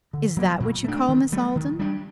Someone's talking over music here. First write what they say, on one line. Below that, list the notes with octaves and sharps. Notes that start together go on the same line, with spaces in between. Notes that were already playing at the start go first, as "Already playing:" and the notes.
"Is that what you call Miss Alden?"
D3
F#3 A#3
A#2
A3 D4
D#3
F#3 A3
D#3
G3 D4